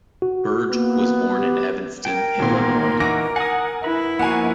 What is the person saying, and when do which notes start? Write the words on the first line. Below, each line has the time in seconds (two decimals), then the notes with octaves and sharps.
Burge was born in Evanston, Illinois.
0.22 F#4
0.71 A#3 B3
1.37 G4
2.05 A#4 G5
2.39 G#1 A#2
3.00 E3 D#4 F#4 D6 A#6 D7
3.36 F#5 G#5 D#6
3.84 E4 B4
4.19 F3 A#3 B3 F#4 F#5 G#5